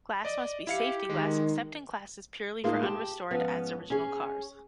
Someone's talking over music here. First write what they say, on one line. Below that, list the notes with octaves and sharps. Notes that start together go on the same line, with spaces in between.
Glass must be safety glass except in classes purely for unrestored, as-original cars.
D5 D#5
E4 G4 F5 C#7
D#3 G#3
A2 G#3 A#3 D#4 F4
G4 G5 A5
G#2 F3 B3 C#4
C#4 G#4 C#5